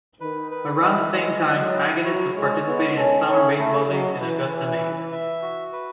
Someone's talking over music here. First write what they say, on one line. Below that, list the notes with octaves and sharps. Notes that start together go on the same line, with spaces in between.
Around the same time, Agganis was participating in summer baseball leagues in Augusta, Maine.
D#3 B4
B4
E3 G#3
G#3
F#3 D#5
E4
F#3 C#5
G#3 C#5
G#3 B3
C#4 A4
C#4 E4
A3 E4
F#3 D#5
E3 B4
C#4
B4
E5
F#4
B4